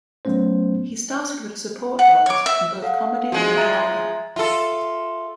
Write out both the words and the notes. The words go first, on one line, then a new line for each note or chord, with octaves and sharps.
He started with support roles in both comedy and drama.
F#3 A3 B3 C#4 C5
F#5
C#5 D6
E5
A4 F5 F#5
F3 G#3 F#4
E5 A#5 A6
F4 A4 E5 C6